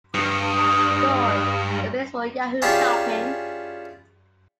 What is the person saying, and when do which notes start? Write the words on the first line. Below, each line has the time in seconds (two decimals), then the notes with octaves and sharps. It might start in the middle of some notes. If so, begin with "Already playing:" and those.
Stores, the base for Yahoo Shopping.
0.14 G2 D#6
2.62 C#4 D4 E4 F4 G4 G#4